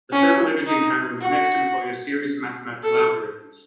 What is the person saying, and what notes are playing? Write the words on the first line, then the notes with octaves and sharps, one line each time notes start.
The thermal imaging camera would next employ a series of mathematical algorithms.
C#4
D#4
F#4
A4